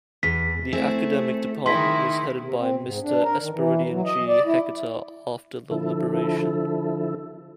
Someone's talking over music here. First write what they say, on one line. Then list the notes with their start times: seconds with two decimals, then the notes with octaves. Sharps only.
The academic department was headed by Mr. Esperidion G. Heceta after the liberation.
0.23 E2 B6
0.73 A3 C4 E4 G#4
1.66 D#3 E4 G#4 C6 B6
2.40 C3
2.58 C4
2.83 G#2
3.03 D4
3.23 A#4
3.40 D#3
3.53 E3
3.91 F#3
4.05 D#5
4.28 D5
4.45 E4
5.71 D3 F3 E4 A4